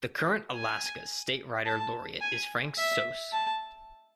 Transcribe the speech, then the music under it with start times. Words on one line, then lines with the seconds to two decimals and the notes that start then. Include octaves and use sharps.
The current Alaska's State Writer Laureate is Frank Soos.
0.54 G#5
1.66 A5
2.21 G#5
2.77 E5
3.33 A5